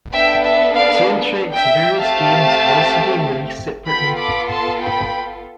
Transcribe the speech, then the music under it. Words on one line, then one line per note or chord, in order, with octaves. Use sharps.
Soundtracks of various games have also been released separately.
B3 D4 A4 E5 G5
E5
D5 F5
E5 G5
A3 C4 G4 F5 A5
B3 F4 A4 G5 B5
B5 D6
A5 C6
G5 B5